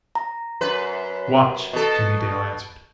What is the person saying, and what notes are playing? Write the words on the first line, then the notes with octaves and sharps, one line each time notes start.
"Watch!" Jimmie Dale answered.
A#5
F#2 B4
B2 A4